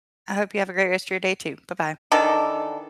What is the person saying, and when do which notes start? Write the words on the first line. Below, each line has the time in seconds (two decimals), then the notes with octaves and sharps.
I hope you have a great rest of your day too, bye-bye.
2.12 D#3 E3 D4 A4